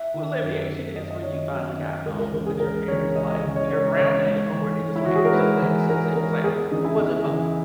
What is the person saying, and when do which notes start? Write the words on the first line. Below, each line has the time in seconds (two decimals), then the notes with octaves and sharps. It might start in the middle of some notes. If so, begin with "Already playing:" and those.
Well, let me ask you this. When you finally got home with your parents, like, "You're grounded," or were they just like, "We're so glad to see you safe and sound," or was it both?
Already playing: E5
0.14 D#3
0.41 F#2
0.70 D#3
0.96 F#2 D#5
1.11 D#5
1.23 D#3 C#5
1.37 C#5
1.51 F#2
1.78 D#3
2.06 C#2 A#4
2.19 A#4
2.33 C#3 E3 A#4
2.46 G#4
2.60 C#2 A#4
2.88 C#3 E3 C#5
3.15 C#2 D#5
3.29 D#5
3.43 C#3 E3
3.56 C#5
3.70 C#2 C#5
3.97 C#3 E3 C#5
4.25 G#2
4.52 E3
4.80 G#2
4.96 E4
5.06 E3 F#4
5.15 G#4
5.25 A#4
5.34 G#2 B4
5.62 E3
5.88 G#2 A#4
6.16 E3 A#4
6.44 E2 G#4
6.71 C#3 E3 D#4
6.84 E4
6.98 E2
7.26 C#3 E3